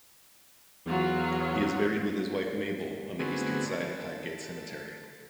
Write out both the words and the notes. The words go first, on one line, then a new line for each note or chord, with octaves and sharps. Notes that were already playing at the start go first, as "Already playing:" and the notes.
He is buried with his wife Mabel on the eastern side of Highgate Cemetery.
E2 F#3 F4
D3 A3 B3 C4 F#4 G#4
A4